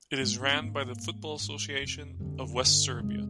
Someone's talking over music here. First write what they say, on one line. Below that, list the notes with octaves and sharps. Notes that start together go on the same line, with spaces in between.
It is ran by the Football Association of West Serbia.
G#2 G#3
A#3
D4
C4
G#2 A#3
G#2
G#2
F2 C3
F2 D3 G3
G2 D3
F2 C3 G#3